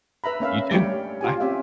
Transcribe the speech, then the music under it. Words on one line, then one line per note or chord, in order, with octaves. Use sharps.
you too, bye.
B4 E5 A#5 B5
A#3 C#4 E5 F5
G3 A3 C#5 D5 G5
F4 G4 G#5
C4 C#4 G4 E5